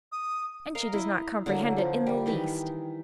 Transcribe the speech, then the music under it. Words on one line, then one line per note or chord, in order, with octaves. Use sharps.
"And she does not comprehend it in the least."
D#6
A#4 D#5 F5
E4 D#5
D3 F#3 A#3
F3
G3
D#3 E3 D#5